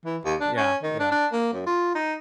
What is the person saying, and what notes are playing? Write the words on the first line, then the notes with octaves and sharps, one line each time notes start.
Yeah, yeah.
E3
D#2
D4
C#4
D#3
D4
D4
A#3
F#2
F4
D#4